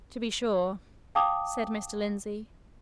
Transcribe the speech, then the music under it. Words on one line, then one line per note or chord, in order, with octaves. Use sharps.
"To be sure," said Mr. Lindsey.
F5 G5 A5 D6 D#6